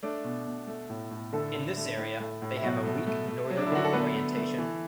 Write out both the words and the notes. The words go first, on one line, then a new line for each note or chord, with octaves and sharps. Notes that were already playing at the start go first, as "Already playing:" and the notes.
In this area, they have a weak northerly orientation.
A3 D4 D5
B2
B2
A3
A2
A2
D3 A3 A4
D3
A3
A2
A3
A2
E4
B2 F#3 F#4
A3
A3
A3
F#3
D4
E4
D3 F#4
A4
A3 B3 B4
A3
A3
E3